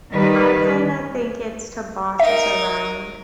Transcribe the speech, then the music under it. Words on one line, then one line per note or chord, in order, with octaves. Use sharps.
I kinda think it's to boss us around.
D#3 G3 B4
D#4 A#4 E5